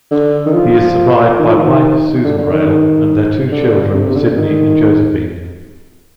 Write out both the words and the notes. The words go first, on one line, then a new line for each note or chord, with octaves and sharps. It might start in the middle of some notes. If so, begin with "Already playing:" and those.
He is survived by wife Susan Rayl and their two children, Sydney and Josephine.
D3
D#3
F3
D#3
F3
D#3
D3
D3
D#3
D3
D3
C3
C3
D3
D#3